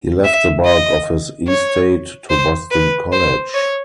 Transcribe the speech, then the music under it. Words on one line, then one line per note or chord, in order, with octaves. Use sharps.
He left the bulk of his estate to Boston College.
E5
D#5
C#5
C5
B4
C5
C#5